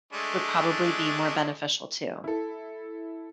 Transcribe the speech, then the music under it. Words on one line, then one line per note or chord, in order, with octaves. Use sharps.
would probably be more beneficial too.
G#3 A3 D4
E4 A4